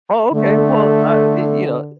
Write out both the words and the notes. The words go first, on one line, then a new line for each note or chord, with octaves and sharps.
oh, okay, well, uh, y you know, eh
D3 A3